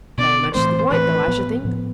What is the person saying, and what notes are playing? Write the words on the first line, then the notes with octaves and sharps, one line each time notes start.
'Very much to the point though, I should think.
B2 B3 D4 D5
A2 E3 A3 C4 C5
A2 E3 A3 C4 B4
A2 F3 B3
A2 F3 B3